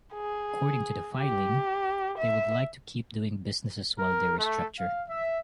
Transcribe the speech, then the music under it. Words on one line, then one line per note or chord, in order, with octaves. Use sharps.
According to the filing, they would like to keep doing business while they restructure.
G#4
G4
E5
A#4
A3
F5
E5